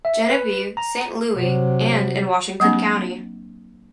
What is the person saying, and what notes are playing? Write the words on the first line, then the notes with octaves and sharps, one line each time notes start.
Genevieve, Saint Louis, and in Washington County.
E5
B4
A#5
C3 F#3
F#3 A#3 C4 D4